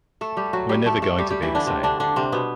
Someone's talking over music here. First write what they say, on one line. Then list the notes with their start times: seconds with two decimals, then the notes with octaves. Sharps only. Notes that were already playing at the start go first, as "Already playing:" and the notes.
We’re never going to be the same.
0.21 A3 A4
0.37 G3 G4
0.53 F#3 F#4
0.69 G3 G4
0.86 A3 A4
1.02 A3 A4
1.18 G3 G4
1.30 G3 G4
1.42 E3 E4
1.55 D3 D4
1.67 C3 C4
1.83 D3 D4
2.00 D3 D4
2.16 C3 C4
2.32 B2 B3